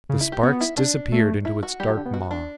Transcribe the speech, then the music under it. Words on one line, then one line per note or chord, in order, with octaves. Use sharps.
The sparks disappeared into its dark maw.
C#3
E4
G4
B3 F#4
E4
D4
A3
E4
F#4
G3 G4
F#3
D3
B2
F#4
D4